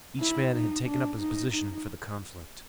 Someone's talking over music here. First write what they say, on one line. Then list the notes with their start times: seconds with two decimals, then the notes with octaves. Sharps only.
Each man had taken up his position for the conflict.
0.20 E4
0.54 D#4
0.87 D4
1.20 D#4
1.53 D#4